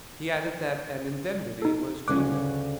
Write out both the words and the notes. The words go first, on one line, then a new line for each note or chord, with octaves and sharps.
He added that an indemnity was due him.
D#4 A4
D2 C#3 C#4 D6 F#6